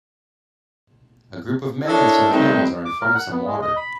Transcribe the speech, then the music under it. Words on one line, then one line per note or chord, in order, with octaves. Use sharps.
A group of men and some camels are in front of some water.
D4 E4 A4 A#4 C#5 D#5
D#3 G3 A3 C4 D#4 B4
D6
A#4
F#5
B3
G#3
D#5
B5